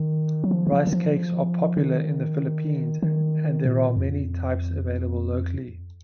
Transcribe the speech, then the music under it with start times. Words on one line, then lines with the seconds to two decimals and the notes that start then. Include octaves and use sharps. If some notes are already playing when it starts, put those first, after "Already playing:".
Rice cakes are popular in the Philippines, and there are many types available locally.
Already playing: D#3
0.44 F#3
0.51 F3
0.67 D#3
0.72 F3
0.87 D#3
0.93 F3
1.77 D#3
3.03 D#3
3.65 A#2
3.97 F2